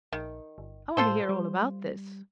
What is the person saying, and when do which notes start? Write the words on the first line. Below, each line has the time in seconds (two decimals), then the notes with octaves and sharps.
I want to hear all about this.
0.12 A#1 D#3
0.58 G1
0.97 A2 F4 A4 C5
1.29 G3